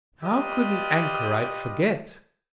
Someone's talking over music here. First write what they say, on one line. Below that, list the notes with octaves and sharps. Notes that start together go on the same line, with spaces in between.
How could an anchorite forget!
F4 G4 B4 D5 D#5